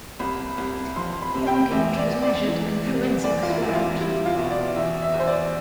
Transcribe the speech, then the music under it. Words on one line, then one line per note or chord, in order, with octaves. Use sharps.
The argument was measured and forensic throughout.
C2 B5
C2
F3 C6
B5
C3
G5
E2 E5
D5
E2
D5
E3
C3
E2 D5
F4
E4
E2
E4
F4
G3 E4
F4
B2
D5
E2 E5
E5
E2
C5
D5